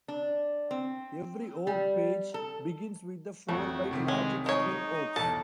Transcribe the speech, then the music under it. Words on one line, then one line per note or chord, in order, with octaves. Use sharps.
Every Ogg page begins with the four-byte magic string "OggS".
D4
C4
G3
A4
A1 F2 A3 F#4
C2 C3 D#3
G#3 C#4
G#3 D#4 C#5
B1 E2 A4 A5